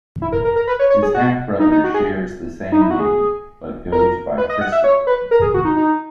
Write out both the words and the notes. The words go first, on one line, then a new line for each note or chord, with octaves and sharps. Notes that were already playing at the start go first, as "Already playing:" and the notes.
His half brother shares the same name but goes by Christopher.
E4
A#4
A#4
A#4
B4
C#5
C#5
G#4
F#4
D#4
D#4
F#4
G#4
D#4
E4
F#4
G#4
A#4
B4
D#5
F#5
E5
C#5
B4
A#4
G#4
F#4
D#4
D#4